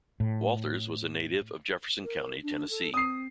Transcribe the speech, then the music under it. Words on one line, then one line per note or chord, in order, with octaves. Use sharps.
Walters was a native of Jefferson County, Tennessee.
A2
A#4
D4
A4
C4 D#6 C7